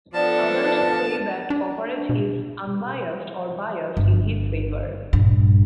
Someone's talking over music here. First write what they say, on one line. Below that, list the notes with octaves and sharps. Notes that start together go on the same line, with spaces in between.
Others say that coverage is unbiased or biased in his favor.
F3 B3 D4 A4 D5 A5
D4
B2
G1
A#1 G2